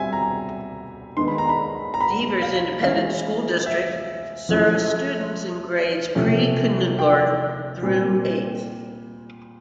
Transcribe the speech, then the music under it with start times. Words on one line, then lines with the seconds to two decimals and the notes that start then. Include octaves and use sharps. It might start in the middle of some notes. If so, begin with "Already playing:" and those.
Devers Independent School District serves students in grades pre-kindergarten through eighth.
Already playing: B2 G3 C4 E5 G#5
0.13 A#5
1.17 D#3 G#3 B3 D#4 C6
1.28 B5
1.38 A#5
1.49 B5
1.94 A#5
2.01 B5
2.42 F5
2.83 E3 G#3 C#4 E4 F5
3.66 E5
4.49 F3 A3 C#4 E4
6.15 C3 F3 A3 C#4
6.99 G5
7.82 A#2 G3 C4